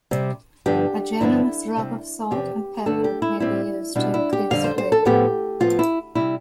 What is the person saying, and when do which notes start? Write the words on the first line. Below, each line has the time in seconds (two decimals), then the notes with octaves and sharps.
A generous rub of salt and pepper may be used to increase flavor.
0.11 C3 G3 C4
0.66 G2 D3 F3 B3 D4 G4
1.20 G2 D3 F3 B3 D4 E4
1.76 C3 G3 C4
2.30 E2 C3 F3 C4 G4
2.86 G2 D3 A3 D4 A4
3.04 G4
3.22 E4
3.40 A2 G3 C4 E4
3.95 B2 G3 D4 E4
4.14 E4
4.33 G4
4.50 F2 D3 G3 D4 F5
4.64 C5
4.78 C5
4.92 A4
5.05 A2 F3 B3 G4
5.60 A2 F3 B3 F4
5.79 E4
6.15 C3 G3 E4